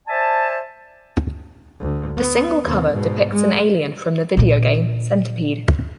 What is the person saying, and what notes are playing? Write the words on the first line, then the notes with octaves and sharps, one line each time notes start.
The single cover depicts an alien from the video game "Centipede".
C5 D5 E5 G#5 A5
D2
B3
D#2 C3
G#2 B2
G#3
A#2 D3